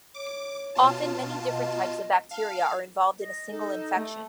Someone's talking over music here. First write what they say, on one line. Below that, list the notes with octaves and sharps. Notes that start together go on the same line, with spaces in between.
Often many different types of bacteria are involved in a single infection.
C#5 D6
B2 F4 A5
D#5
F5 A5
D#5
D#4 A4
A3